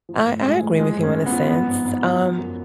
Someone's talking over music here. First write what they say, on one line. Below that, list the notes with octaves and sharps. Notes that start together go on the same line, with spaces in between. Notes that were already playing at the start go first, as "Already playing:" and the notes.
I I agree with you in a sense, um,
F3
A2
A2 G#3
F3
F3 G#3
A2
C#4
A2
B3
F3
F3 B3
G#2
G#2
F3
F3
F#2